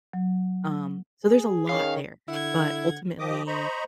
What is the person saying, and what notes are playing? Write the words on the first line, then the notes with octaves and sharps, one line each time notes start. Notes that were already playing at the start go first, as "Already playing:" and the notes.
Um, so there's a lot there, but, ultimately,
F#3
G#4
D#3 C#4 C#5 F5
D3 E4 F#5 G#6
F3 G4 D#5 D6 D#6
C5 D#5 A#5 B5 C#6